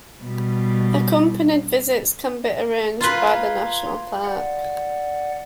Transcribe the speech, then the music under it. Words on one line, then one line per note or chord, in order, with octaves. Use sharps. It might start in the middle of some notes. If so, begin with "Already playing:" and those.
Accompanied visits can be arranged by the national Park.
B2 G3
F4 B4 A#5 C6 G#6
D5 F#5